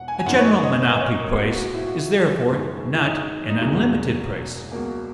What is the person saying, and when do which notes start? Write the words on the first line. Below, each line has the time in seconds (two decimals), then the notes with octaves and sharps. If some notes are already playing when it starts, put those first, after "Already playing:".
A general monopoly price is therefore not an unlimited price.
Already playing: E1 F#5
0.08 G#5
0.19 G#5
0.26 F#2 D#3 F#3 A#3 F#5
0.38 C#5
0.45 D#5
0.63 D#5
0.82 B4
1.00 C#5
1.19 A#4
1.38 C#2 B2 A#3 F#4
1.56 F#4
1.75 E4
1.86 F#4
1.98 E4
2.49 F#2 D#3 G#3
2.94 E4
3.04 D#4
3.49 D#4
3.61 E1 E2 C#3 F#3 A#3 E4
4.72 C#2 B2 F#3 A#3 A#4